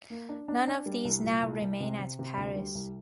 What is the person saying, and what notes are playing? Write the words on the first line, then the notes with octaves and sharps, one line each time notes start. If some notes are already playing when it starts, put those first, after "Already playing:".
None of these now remain at Paris.
A#3
D4
D4
D4
G3
C2
A#2
C2
C2
C3
C3
C3
D2
G3
C2